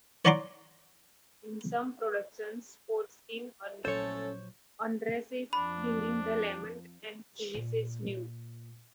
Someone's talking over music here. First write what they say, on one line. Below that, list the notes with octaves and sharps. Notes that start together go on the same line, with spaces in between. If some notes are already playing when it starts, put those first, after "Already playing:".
In some productions Foreskin undresses during the lament and finishes nude.
C#5 D5 F#5 A#5 C6 D6
A#1 F#3 A3 C#4 E4 A4 C5 C#5
F2 F3 D4 B5
A#2